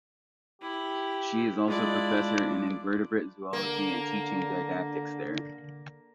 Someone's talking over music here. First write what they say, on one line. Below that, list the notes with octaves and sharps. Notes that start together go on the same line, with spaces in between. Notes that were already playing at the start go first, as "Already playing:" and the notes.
She is also Professor in Invertebrate Zoology and Teaching Didactics there.
E4 G4
G#3 D4 E4 F4 D5
D3 A#3